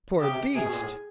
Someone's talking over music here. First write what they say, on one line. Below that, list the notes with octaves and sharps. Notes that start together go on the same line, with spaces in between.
"Poor beast!"
C#3 G4
C3
C3 G#4
B2
A#2
A2